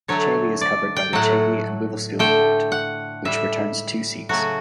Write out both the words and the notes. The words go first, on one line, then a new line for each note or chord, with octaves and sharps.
Chailey is covered by the Chailey and Wivelsfield ward which returns two seats.
D3 F#3 A3 C#5
D5
G5
A2 F#3 A3 F#5
D3 A3 G5
F#5
A2 G3 E5
C#3 F#3 A3 F#4